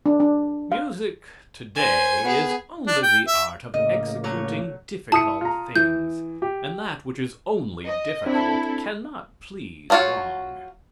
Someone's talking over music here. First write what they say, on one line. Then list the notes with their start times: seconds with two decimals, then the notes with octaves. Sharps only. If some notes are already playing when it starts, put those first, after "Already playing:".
Music, to-day, is only the art of executing difficult things, and that which is only difficult cannot please long.
0.06 D4
0.20 D4
0.72 F5
1.76 C5 G#5
2.24 B3 G#4
2.87 D4
3.03 G5
3.28 E5
3.74 A2 C#3 A#3 D#5
4.24 F#3 A3 C#5
5.12 E4 A5 D#6 C#7
5.41 F4 A#5
5.76 E3 G6
6.42 G4
7.86 D#5
8.26 C4 D4 E4 A4
9.90 F#3 D#4 F4 F#4 C#5